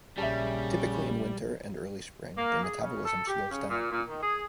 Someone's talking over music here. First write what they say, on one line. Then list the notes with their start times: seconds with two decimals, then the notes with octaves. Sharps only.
Typically in winter and early spring their metabolism slows down.
0.18 A#1 C#3 G3 E5 A5
2.36 A#3
2.63 G#4
2.82 C#3
3.05 A4
3.27 G4
3.51 C#3
3.69 A#2
3.91 A#2
4.08 D#3
4.22 G#4